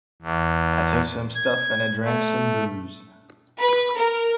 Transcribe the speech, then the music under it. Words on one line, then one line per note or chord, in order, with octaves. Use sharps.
I took some stuff and I drank some booze.
E2
G#6
A3
B4
A#4